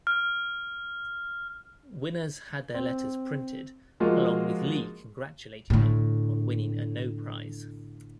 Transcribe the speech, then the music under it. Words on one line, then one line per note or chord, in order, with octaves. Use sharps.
Winners had their letters printed along with Lee congratulating them on winning a No-Prize.
F6
C4
F3 G#3 A#3 F4 F#4
A2 D3